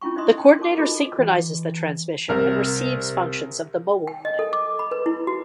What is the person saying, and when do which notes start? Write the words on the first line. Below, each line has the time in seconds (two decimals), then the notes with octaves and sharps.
The coordinator synchronizes the transmission and receives functions of the mobile unit.
0.01 C#4 E4 F4 G5 C#6
0.16 D#4 C5 D#5 E5 C6 D#6
0.38 C#5 G5
0.59 A#4 C#5 A5 D6
0.77 D#4 F4 F#4 A4 B4 D#5
1.19 E3
2.29 C2 C3 A#4 F6
4.07 G5
4.25 D#5
4.39 A4
4.53 D6
4.79 B5
4.91 B4
5.06 E4
5.27 F#4